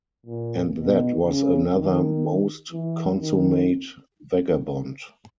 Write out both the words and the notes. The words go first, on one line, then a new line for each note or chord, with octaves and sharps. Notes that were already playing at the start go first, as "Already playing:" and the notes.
And that was another most consummate vagabond!
A#2
B2
C#3
D#3
E3
D#3